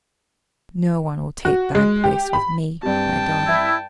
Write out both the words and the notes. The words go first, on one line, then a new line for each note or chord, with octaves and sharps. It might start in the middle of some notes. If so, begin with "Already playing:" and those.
"No one will take thy place with me, my daughter."
F#4
G#3
G4
B5
G2 C4 G4 G5 A5
E4